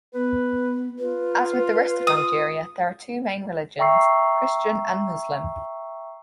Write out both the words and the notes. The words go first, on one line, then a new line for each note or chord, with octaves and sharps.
As with the rest of Nigeria, there are two main religions, Christian and Muslim.
B3 B4
F4 B4
D#6
E5 G5 A#5 C#6 E6 C7